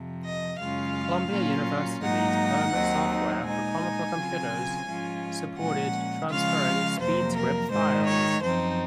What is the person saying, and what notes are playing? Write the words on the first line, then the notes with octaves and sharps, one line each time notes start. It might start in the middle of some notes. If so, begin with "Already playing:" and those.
Columbia University's Kermit software for Commodore computers supported transferring SpeedScript files.
Already playing: F2 C3 F3
D#5
F#2 C#3 G#3 C#4 F4 F5
A#2 F#3 A#3 C#4 F4
G#2 F#3 A#3 D#4 F#5
D#2 D#3 F#3 C4 D#4
A#2 G#3 D#4 G#5
C#3 F#3 C4 F4
G#2 F3 G#3 C#4 F4
A#2 F3 G#3 C#4 F#5
C#3 F3 G#3 C#4 F4 F5
F2 C3 F#3 A#3 C5
A#4
G#2 D#3 G#3 C5
C#5
F#2 F3 C4 D#4 C5